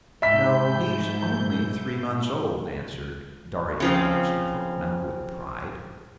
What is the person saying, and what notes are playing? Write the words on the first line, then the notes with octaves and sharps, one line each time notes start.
"No; he's only three months old," answered Darya Alexandrovna with pride.
G#2 E5 B5 G6 B6
C#3 F3 C4